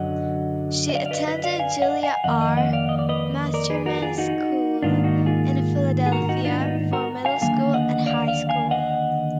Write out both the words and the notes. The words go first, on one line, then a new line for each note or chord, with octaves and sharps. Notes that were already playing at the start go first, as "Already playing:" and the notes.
She attended Julia R. Masterman School in Philadelphia, for middle school and high school.
Already playing: F#2 D3 F#3 D#5 F#5
D#5
D5 F5
F5
B4 D#5
B4 D#5
D5 F5
F5 G#5
D#5 F#5
F5 G#5
F2 D#3 A#3 D#5 F#5
D#5 F#5
D#5 F#5
D5 F5
D#5
D5
B4 D#5
A#4 D5
G#4 B4
F#4 A#4
F4 G#4
D#4 F#4
G#2 D#3 A#3 D4 F4
D#4 F#4
F4 G#4
G#4
F#4 A#4
D#4 F#4
D4 F4
B3 D#4
F#4 A#4
F5 G#5
D#2 D3 F#3 A#3 F5 G#5
D#5 F#5
D5 F5
D5 F5
F5 G#5
D#5 F#5